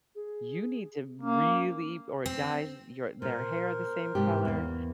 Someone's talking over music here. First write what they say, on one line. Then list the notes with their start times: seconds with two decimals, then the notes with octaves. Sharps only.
you need to really or dyes your their hair the same color.
0.15 G#4
1.22 A#3 C#4
2.26 C4
3.22 A#2 A#4 C5
4.15 G#2 C3 G4
4.45 E2 A#3